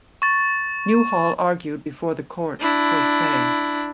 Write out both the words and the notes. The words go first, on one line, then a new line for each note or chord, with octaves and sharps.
Newhall argued before the court pro se.
C#6 A6
D4 E4